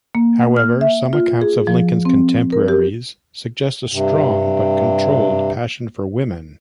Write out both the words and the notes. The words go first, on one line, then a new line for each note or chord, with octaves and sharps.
However some accounts of Lincoln's contemporaries suggest a strong but controlled passion for women.
A#3
F6
E5
F4
G#4
F3
C4
A#4
G4
G2 C3